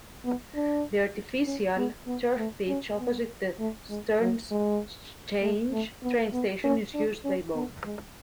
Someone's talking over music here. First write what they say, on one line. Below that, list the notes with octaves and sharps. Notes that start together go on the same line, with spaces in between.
The artificial turf pitch opposite the "Sternschanze" train station is used by both.
B3
D4
C#4
B3
B3
A3
C#4
B3
A3
G#3
F#3
G#3
A3
A3
B3
B3
C#4
D4
C#4
B3
G#3